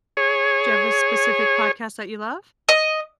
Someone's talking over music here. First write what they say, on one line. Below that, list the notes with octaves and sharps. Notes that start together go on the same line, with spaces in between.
Do you have a specific podcast that you love?
G#4 C#5
D#5